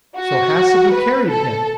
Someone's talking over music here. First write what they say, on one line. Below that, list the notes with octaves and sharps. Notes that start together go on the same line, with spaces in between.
So Hassebu carried him.
F#4
B4
A4